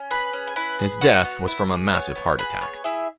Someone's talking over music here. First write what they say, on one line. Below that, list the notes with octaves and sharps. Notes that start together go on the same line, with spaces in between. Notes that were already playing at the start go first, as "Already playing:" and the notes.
His death was from a massive heart attack.
Already playing: C#4
G#4 B4 B5
C#4
G#5
E4 B4 B5
G#4
B3 F#4 F#5
B3
E4
G#4
B3 C#5
B3
G#4 B4 B5
B3 C#5
E4 G#4 E5